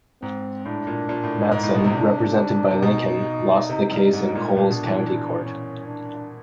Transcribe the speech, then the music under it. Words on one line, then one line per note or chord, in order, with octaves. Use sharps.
Matson, represented by Lincoln, lost the case in Coles County court.
G#2 C4
A2 D4
A#2
A#2
A2
G#2 D#4
A2
B2
C3
D4
C3
B2 D#4
C3
G2
G#2 D#4
A#2
A#2 D4
B2
E3
E3
C#4
D4